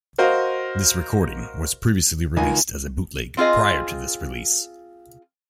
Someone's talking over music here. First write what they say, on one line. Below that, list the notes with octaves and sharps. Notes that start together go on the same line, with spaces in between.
This recording was previously released as a bootleg prior to this release.
F#4 A#4 C5 D#5 F5
C#2 D#3 G#5
C4 F4 G#4 D#5